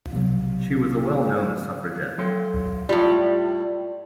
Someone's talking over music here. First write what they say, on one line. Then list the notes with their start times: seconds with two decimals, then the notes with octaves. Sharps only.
She was a well-known suffragette.
0.13 B1 C3 F#3
2.18 F#3 A4 C6
2.89 A2 G3 F4